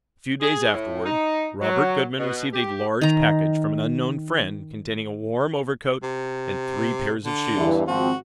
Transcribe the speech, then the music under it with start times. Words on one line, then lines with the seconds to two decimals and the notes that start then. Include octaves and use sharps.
A few days afterward Robert Goodman received a large package from an unknown friend containing a warm overcoat and three pairs of shoes.
0.41 G#4
0.72 A2
1.05 D#4
1.61 F#3
2.18 B2
2.53 G4
3.01 D#3 A#5
6.03 C3
7.25 D3
7.55 E2 G2 E3
7.87 G#1 F3 C4 F#4